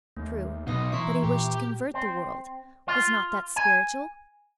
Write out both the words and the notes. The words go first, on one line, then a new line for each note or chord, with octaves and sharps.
True; but, he wished to convert the world.... was not that spiritual?
D#2 A3
B1 B2 B3 D#4 F5 D#6 A#6
E3 E4 A#5 C6 C#6
A#2 G4
C4
F4
G#5